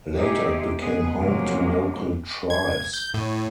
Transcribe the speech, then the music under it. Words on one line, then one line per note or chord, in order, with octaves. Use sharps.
Later it became home to local tribes.
D#4 G4 G#4 C5 E5
G#3 B3 G#4
C3 F3 F#3 G#3 A#3
G#6
G6
A2